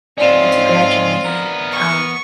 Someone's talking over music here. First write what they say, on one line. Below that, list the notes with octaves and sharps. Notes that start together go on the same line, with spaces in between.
into graduating, um
G#2 C4 C#4 F4 D5 E7
B3 A#4
C#6